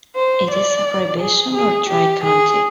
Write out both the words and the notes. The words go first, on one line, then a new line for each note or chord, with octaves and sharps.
It is a prohibition or dry county.
C5
D5
G#4
G#4
G4
G#4